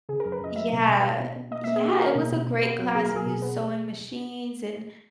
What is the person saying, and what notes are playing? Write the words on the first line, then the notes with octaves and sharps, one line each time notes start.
Yeah, yeah, it was a great class, we used sewing machines and
C#3 G#4
F#2 A#4
B4
F#2 D#5
F#3 E5
B2
B2
B2
B2
B2
A#3 D#5
A#3 E5
G#4
A#3 F#4
A#3 A#4
B2
B2
B2
B3
F#3
B2 G#4
A#4
F#3 G#4
B2
B3